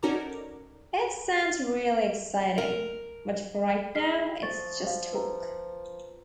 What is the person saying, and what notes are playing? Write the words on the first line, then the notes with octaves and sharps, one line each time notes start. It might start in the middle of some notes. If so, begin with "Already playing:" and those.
It sounds really exciting, but for right now it's just talk.
C#4 D#4 F#4 A4 A#4 D5
A#4
G#3 F6 B6 C7
F3 C#6 A6
F5
B4 A#5